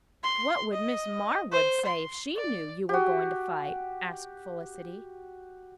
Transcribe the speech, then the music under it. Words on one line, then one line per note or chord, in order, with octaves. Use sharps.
"What would Miss Marwood say if she knew you were going to fight?" asked Felicity.
C6
D#5
C5
C6
D5
F#4 G4